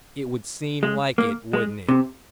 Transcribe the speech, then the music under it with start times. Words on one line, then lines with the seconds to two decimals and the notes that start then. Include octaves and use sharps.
"It would seem like it, wouldn't it."
0.83 G#3
1.18 A#3
1.53 G#3
1.88 C3